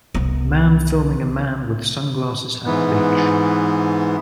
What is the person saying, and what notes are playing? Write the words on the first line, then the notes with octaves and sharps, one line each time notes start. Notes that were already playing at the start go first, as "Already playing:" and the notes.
Man filiming a man with sunglasses at the beach.
C2 B3
G#2 E3 B3